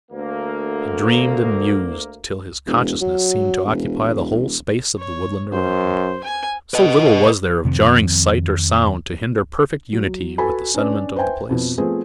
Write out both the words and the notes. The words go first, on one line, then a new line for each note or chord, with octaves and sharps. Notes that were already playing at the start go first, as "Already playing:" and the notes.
He dreamed and mused till his consciousness seemed to occupy the whole space of the woodland around, so little was there of jarring sight or sound to hinder perfect unity with the sentiment of the place.
D2 A#3
E1
F#3
E1
C#5
F#2 C5
G#5
B4 D#5
F2 C3 D#3 F3
F#3
F#4 A4 B4 G#5 B5
C#4 D4 B4 D5
B4 C5 E5 G5 G#5
F2 B2
F3 A3 B3 C4 G#4